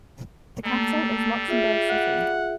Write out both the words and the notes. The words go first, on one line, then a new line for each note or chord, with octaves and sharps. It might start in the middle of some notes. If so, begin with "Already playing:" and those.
The capital is Luxembourg City.
G3 A3 A#3 A4
F4 G#4 E5
F#5